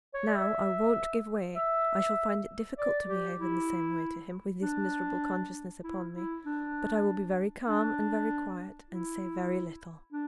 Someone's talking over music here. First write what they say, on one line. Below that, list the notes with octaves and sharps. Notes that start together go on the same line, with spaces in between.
Now I won't give way. I shall find it difficult to behave in the same way to him, with this miserable consciousness upon me; but I will be very calm and very quiet, and say very little.
C#5
D5
E5
E5
D5
G4
E4
D4
E4
E4
D4
D4
E4
D4